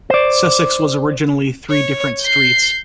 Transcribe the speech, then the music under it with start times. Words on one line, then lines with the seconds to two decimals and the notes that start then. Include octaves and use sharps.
Sussex was originally three different streets.
0.10 C5 D5
1.70 C#5
2.21 G6 C7